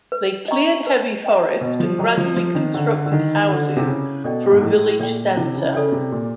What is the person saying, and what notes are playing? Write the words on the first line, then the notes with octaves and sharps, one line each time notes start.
They cleared heavy forest and gradually constructed houses for a village center.
B4
D#5 G5 A#5 C#6
B4
D#5 G5 A#5 C#6
B2 B4
F3
F#3 D#5 G5 A#5 C#6
F3
F3 B4
D#3
D3 D#5 G5 A#5 C#6
D3
D3
D#3 E4
D3 A4 D5 G5
C3
C#3 E4
B2 A4 D5 G5
G#2
A2 E4
A#2 A4 D5 G5
C3 E4
C#3
C#3 A4 D5 G5
C3
A#2 G4